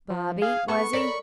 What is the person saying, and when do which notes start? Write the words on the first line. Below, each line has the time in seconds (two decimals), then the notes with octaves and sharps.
"Bobby, was he?"
0.10 F3
0.42 G#4 F5
0.68 B3 G#4 A4 C#6
0.93 A#4 C#5 D5 B5